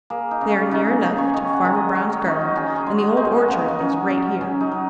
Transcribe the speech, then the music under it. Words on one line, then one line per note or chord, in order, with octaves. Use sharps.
They are near enough to Farmer Brown's garden, and the Old Orchard is right here.
A#3 G#4
D#4
C#3
C#4
C#3 D#4
C#4 G#4
C#5
D#3 D#5
F#5
D#3
D#5
C#4 C#5
C#4
D#3 D#4
F#4
C#4 G#4
G#4
G#3
F#4
G#3 D#4
F#4
C#3
D#4
C#4
C#4 D#4
F#3
F#3 C#4
D#4
F#3